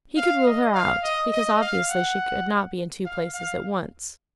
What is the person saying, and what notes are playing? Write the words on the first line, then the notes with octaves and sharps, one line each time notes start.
He could rule her out, because obviously she could not be in two places at once.
F5
D#5
F5
D#5
D#5
F5
F#5
F5
F5